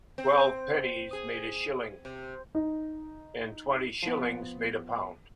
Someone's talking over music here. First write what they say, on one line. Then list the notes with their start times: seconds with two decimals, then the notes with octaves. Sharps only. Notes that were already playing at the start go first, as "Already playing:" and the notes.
Twelve pennies made a shilling, and twenty shillings made a pound.
0.18 C4
1.13 G#4
2.05 C3
2.55 D#4
4.03 F3 B3